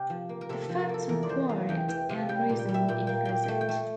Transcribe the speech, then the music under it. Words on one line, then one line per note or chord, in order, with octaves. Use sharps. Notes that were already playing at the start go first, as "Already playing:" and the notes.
The facts require it, and reason infers it.
Already playing: C3 G4
F3
A#3
A#4
C3 A4
A4
F3
A#4
A#3 A4
E2 A#4
D5
E2 C5
E2 F5
E2 G5
E3 G5
C3 F5
G3 G5
A#2
G5
G3
E5
A#2 G5
A#3 G5
A#2 G5
G5
A3
G5
A3